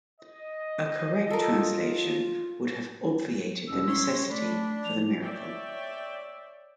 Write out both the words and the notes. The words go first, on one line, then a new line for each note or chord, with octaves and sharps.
A correct translation would have obviated the necessity for the miracle.
D#5
F4 A4 A#4
D#2 B2 C#4 E6
C#5 C6
A3 D4 B5
F3 F7
C#5 D5 E5 G5